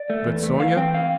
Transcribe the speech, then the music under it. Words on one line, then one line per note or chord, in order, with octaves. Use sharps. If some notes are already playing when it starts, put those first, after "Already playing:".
But Sonya?
Already playing: D5
A3
E2
A3
E3 F5
C4 G5
F5